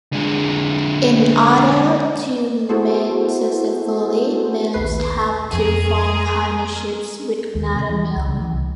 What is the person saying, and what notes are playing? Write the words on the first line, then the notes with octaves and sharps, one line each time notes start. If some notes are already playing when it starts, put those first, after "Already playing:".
In order to mate successfully, males have to form partnerships with another male.
D3 G#3
B3 E4 F#4 G#4 A4 C5
A#1 D#2 B4 C7
F2 G#4 A#4
D#2
C3
E3
C#2
C#3
E3
C2